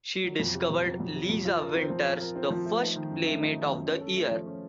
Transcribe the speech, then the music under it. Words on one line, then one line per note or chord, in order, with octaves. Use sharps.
She discovered Lisa Winters, the first Playmate of the Year.
F#3
F2
C3
F2
F#3
F2
C3
F2
F4
A#4
C4
F3
F4
A#4
C4
F3
A3
D#4
D#3
F#2
A3
D#4
D#3
F#2
C#4
A4
A3
F3
C#4